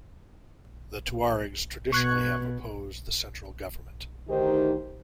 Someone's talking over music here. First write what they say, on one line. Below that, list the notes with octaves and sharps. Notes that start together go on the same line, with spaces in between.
The Tuaregs traditionally have opposed the central government.
B2 C#6 F#6 G#6
D2 D#3 D#4 G4 C5